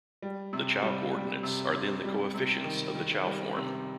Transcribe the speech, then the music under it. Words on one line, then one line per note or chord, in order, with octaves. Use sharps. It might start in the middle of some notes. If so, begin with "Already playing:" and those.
The Chow coordinates are then the coefficients of the Chow form.
G3
C3
G3
G3
C3
C3
G3
C3
D#3
D#3
G3
C3